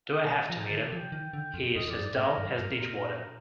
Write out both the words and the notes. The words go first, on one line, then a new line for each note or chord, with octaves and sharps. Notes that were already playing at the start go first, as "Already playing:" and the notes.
Do I have to meet him? He is as dull as ditchwater.
F5
G5
A5
F3 A#5
G5
D#3 A5
A5
F3
G5
D#3 G5
D3 G5
F2
F2 D#5
F2 D5
G2
D5
A2
A#4
G2
G2
A#2